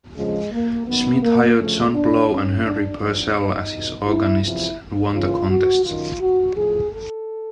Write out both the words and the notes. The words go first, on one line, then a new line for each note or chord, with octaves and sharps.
Smith hired John Blow and Henry Purcell as his organists and won the contest.
F2 C#3 F3 G#3
A#3
F#2 D#3 B3
A#3
D2 C#3 F3 A3
D4
D#2 D#3 C#4
D4
A2 F3 D4
D#4
E2 B2
E4
E2 C3 F3 E4
D#2 C#3 E3 F4
F#4
F#2 D#3 F4
F#4
A2 F3 G#4
A4